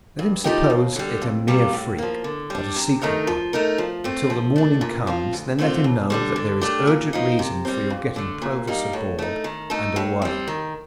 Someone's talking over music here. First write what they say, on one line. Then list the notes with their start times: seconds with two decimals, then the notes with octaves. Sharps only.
Let him suppose it a mere freak, but a secret one, until the morning comes: then let him know that there is urgent reason for your getting Provis aboard and away.
0.19 G2
0.44 F3 A3 D#4 G4
0.70 D#2
0.96 D3 G3
1.22 F2
1.48 C3 G3 A#3 F4
1.73 A2
1.98 F3 A#3
2.24 D3
2.50 G3 D4
2.76 C3
3.02 D#3 A3 D#4 A#4
3.27 F3
3.53 A3 D#4 A#4
3.78 F3
4.04 A3 C4
4.30 F3
4.56 A3 D4
4.81 A#2
5.07 F3 C4 F4
5.33 D2
5.59 D3 A3 C4 F4
5.84 D#2
6.10 D3 G3 D4
6.36 D3
6.61 A3 D4 G4
6.87 A#2
7.13 F3 A#3 D#4
7.39 C3
7.65 G3 C4
7.90 F2
8.16 D3 A3
8.42 A#2
8.67 G3 A#3 D#4 A#4
8.93 A2
9.19 A3 D#4
9.44 D#3
9.70 A3 D#4 A4
9.96 A2
10.22 G3 C4
10.48 D#3